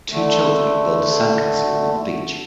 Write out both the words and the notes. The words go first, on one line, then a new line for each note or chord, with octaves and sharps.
Two children build a sand castle on the beach.
D3 A3